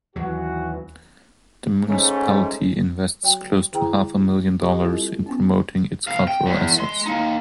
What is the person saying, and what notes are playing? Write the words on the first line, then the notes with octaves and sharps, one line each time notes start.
The municipality invests close to half a million dollars in promoting its cultural assets.
D#2 E3 F#3 F#4
G#2 A3 C#4
F#3 F#4 G5
D3 E4 G#4 G5 A#5
G4 D#5 C#6
G3 C4 E4 F4 G4 A4
B3 C#4
C3 F5
G5
E2
G#3 C6
A#3 D#4